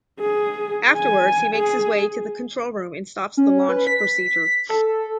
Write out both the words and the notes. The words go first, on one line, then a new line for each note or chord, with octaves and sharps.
Afterwards he makes his way to the control room and stops the launch procedure.
G#4
G#5
G#4
C#4
B4
B6
A4